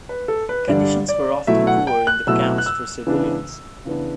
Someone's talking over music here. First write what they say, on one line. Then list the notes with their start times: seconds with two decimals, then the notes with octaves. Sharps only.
Conditions were often poor in the camps for civilians.
0.09 B4
0.28 A4
0.49 B4
0.68 G2 D3 G3 D4 D5
1.09 D5
1.47 B2 F#3 A3 E4 E5
1.67 F#5
1.87 G5
2.07 F#6
2.27 B2 F#3 A3 E4 E6
2.58 F#6
2.66 E6
3.07 C#3 E3 B3 D4
3.85 C#3 E3 B3 D4